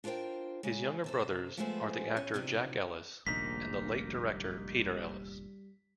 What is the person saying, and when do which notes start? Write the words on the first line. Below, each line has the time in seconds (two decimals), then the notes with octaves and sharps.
His younger brothers are the actor Jack Ellis and the late director Peter Ellis.
0.04 D4 F4 A#4 C5 G5
0.63 C#3 G#3
1.04 C3 A4 C5
1.57 F3 G#3 A3 B3 G#4 C5
2.17 C#4
2.34 C3 F3 D4 D#4
3.27 F1 A#1 D#3 G3 G#3 A#3 D#4 B6